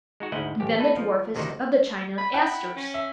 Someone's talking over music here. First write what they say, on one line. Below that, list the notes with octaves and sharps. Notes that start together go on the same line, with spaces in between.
And then the dwarfest of the China Asters.
G#3 D#4 F#4
D2 G#2 E4 D#5 F#5
A1 G4
D#4 A4 B4
F3
D2 C3 D#3 E3 D#4 F#4
B5
E4 F#5 G5
C#4
E5